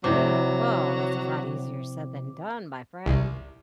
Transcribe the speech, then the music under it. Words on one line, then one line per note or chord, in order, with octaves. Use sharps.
Mm, well, that's a lot easier said than done, my friend.
C3 F3 F#3 E4 D5 D6
C2